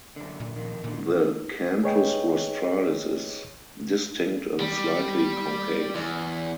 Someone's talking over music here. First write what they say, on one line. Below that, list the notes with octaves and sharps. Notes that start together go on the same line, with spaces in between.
The canthus rostralis is distinct and slightly concave.
F#2 D3
A#2
F2 D#3
D#2 A#2 D3
G#4 B4 C#5 D#5 G5
G3
E2